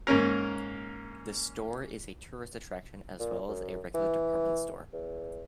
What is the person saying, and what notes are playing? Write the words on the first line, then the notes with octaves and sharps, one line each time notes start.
The store is a tourist attraction as well as a regular department store.
G#2 A#3 C#4 A#4
A#2
F#2
E3
E2